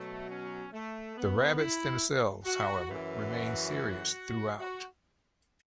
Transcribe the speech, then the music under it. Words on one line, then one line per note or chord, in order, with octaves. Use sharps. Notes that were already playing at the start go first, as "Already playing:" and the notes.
The rabbits themselves, however, remain serious throughout.
Already playing: B2 F#3 A3
C#4
A3
B3
E4
F#4
F#2 E3
F#4
F#4